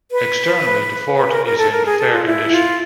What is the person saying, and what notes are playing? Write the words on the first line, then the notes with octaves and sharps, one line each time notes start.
Externally the fort is in fair condition.
B4
B4
A#4
A#4
A4
A#4
G#4
A4
F4
E4
F4